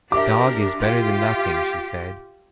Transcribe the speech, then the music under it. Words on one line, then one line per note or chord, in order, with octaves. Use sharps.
"A dog is better than nothing," she said.
D4 G4 A#4 E5 D6
F4 G4